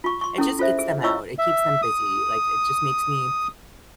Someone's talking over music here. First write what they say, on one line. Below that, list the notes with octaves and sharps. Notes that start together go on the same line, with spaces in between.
it just gets them out, it keeps them busy, like, it just makes me
F4 C#6
C6 C#6
C#4 E4 A4
F4 A4 C5 E5
G#4
E4 F4 C#5 D#5 C#6 E6
E5
D#6